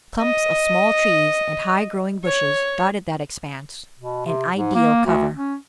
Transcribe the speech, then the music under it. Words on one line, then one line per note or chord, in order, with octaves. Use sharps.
Clumps of small trees and high growing bushes dotted that expanse, an ideal cover.
D#5
C#5
B2
C3
G#2
A#3
D2
C#4